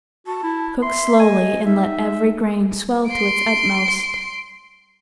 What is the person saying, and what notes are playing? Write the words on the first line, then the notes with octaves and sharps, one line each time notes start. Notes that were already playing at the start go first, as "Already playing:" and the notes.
Cook slowly and let every grain swell to its utmost.
F#4 A5
E4
E5 C6
D#5 G#5
D#4 E5
C6 D7